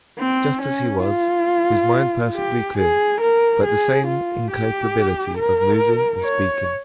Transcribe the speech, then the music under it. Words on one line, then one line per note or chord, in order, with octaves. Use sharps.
"Just as he was, his mind perfectly clear, but the same incapability of moving or speaking."
C4
C#4
F4
G4
G#4
A#4
G#4
F4
G4
A#4
C#5